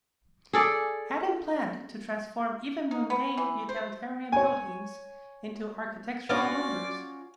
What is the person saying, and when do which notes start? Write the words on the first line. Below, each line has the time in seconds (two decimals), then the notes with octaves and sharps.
Adam planned to transform even mundane utilitarian buildings into architectural wonders.
0.53 G#4 A4 D5
2.91 D#4
3.10 B3
3.37 E3
3.69 C5
4.32 C#5 G#5
6.29 B3 C#4 D4 F4 F#4 C#5 D5